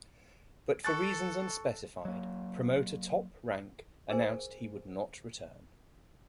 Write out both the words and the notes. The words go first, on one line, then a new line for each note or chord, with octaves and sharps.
But for reasons unspecified, promoter Top Rank announced he would not return.
A4 C#6 F#6 A6
F#3 A#3
G#4 A#4 C5 G#5